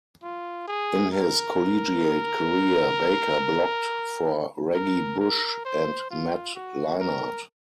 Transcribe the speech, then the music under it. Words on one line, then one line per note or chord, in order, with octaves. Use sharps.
In his collegiate career Baker blocked for Reggie Bush and Matt Leinart.
F4
G#4
A#4
A#4
A#4
C5
F4
F#4
A#4